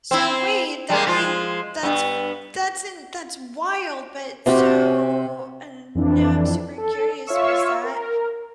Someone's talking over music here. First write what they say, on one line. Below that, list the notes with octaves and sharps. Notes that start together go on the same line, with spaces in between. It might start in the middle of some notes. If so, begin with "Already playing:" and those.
So, wait, the I mean, that's f that's in that's wild, but so, and now I'm super curious, was that
C4 E4
G3 G#3 A#3
F3 G#3 F4
G2 B3
C3 C4 F#4 G4
F2 E3 D4
A4
F4 C#5 E5 F5 C#6 E6
A#4